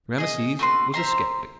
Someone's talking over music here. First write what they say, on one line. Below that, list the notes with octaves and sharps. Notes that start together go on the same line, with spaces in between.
Rameses was a sceptic.
G#4 D#5
A3 F#4 B4 C6
C5 E5 A#5 C6